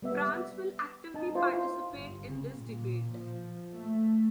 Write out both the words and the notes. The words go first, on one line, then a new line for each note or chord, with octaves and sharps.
France will actively participate in this debate.
G3 B3 E5
D#4 A5
E4 F4 C5
G1
C#3
A#2
F3
A3